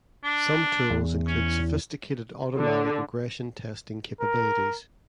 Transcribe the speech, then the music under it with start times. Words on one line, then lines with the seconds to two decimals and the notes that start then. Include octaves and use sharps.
Some tools include sophisticated automatic regression testing capabilities.
0.24 D4
0.90 E2
1.28 C#4
2.56 D3
4.21 A#4